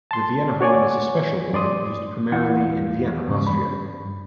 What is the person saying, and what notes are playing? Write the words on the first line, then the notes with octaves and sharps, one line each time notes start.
The Vienna horn is a special horn used primarily in Vienna, Austria.
A5 C6
F#4 C#5 D5 G#5
G2 D5 C6 D#6
E2 E4 F5 F#5
E2 G#2 C#3
G2 B5